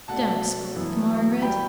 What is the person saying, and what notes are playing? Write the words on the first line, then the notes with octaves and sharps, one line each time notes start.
'Don't scold, Margaret.
B2 A3 D4 F#5 A5
F#2 E3 B3 E4
B2 G3 C#4 G5 B5